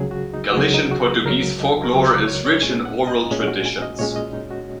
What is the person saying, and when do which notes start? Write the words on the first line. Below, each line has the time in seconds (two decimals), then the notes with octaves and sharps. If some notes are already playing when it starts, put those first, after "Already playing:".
Galician-Portuguese folklore is rich in oral traditions.
Already playing: C#2 C#3 F#3 G#4
0.11 F#4
0.34 D#4
0.52 F#4
0.57 C#2 C#3 F#3 G#4
0.74 D#4
0.91 F#4
1.08 A#4
1.25 C#2 C#3 F#3 A#4
1.60 D#5
1.84 A#4
1.93 C#2 C#3 F#3 C#5
2.11 A#4
2.27 C#5
2.45 C#5
2.62 A#2 G#3 C#4
2.85 F#5
3.07 D#5
3.31 A#2 G#3 C#4 C#5
3.48 F#4
3.65 G#5
3.82 D#5
3.99 A#2 G#3 C#4 C#5
4.16 D#5
4.33 D#4
4.51 F#4